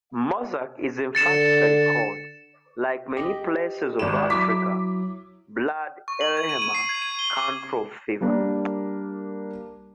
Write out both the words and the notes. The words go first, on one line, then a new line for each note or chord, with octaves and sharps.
Mourzuk is emphatically called, like many places of Africa, "Blad Elhemah", country of fever.
D3 A6 C#7 E7
G4 D#5
G#1 E7
F#3 E4 D6 B6
C#6
F#7
G#6
D#7
D#7
C7
G#6
D#7
G7
D6
G3 A#3 D4 A#4